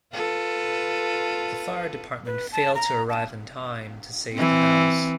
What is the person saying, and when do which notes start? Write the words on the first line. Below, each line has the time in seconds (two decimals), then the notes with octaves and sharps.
The fire department failed to arrive in time to save the house.
0.12 F4 A4 B4
2.26 B4
2.52 A5
2.75 A#5
3.09 A5
4.34 E3 C4